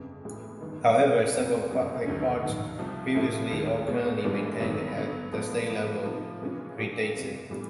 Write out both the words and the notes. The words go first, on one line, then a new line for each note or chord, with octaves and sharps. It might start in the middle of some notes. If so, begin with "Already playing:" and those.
However several public parks previously or currently maintained at the state level pre-date it.
Already playing: G1 F2 C#3
B1 A2 E3 G#3
G1 G2 D#3
C#3 F#3 B3 D4 G4
F1 E2 C3
G1 F#2 C#3 F#3 A#3
D#2 D3 F#3 A3 C#4
D#2 D#3 F#3
C2 C3 F3
A2 F3 A3 C#4 E4
D#2 D#3 G#3
E2 B2 G#3 B3
G#2 E3 G3 A#3 D4
G#1 G2 D#3 F#3 B3
D3 F#3 B3
A1 A2 F3 G#3 B3
A2 F3 A#3
C3 F3 A#3 D#4
C3 E3 G#3 C#4 F4
A#2 F#3 A#3 D4 G4
F#1 E2 C3
A2 E3 G3 B3 D4